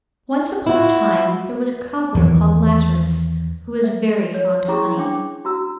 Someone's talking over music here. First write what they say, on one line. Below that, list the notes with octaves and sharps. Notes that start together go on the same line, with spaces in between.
Once upon a time there was a cobbler called Lazarus, who was very fond of honey.
E4 F#4
E2 D#3 E3
E5
C#5
C#4 E4 G#4 A#5 C6 C#6
C#4 D4 G5 D6
F#4 A#5 E6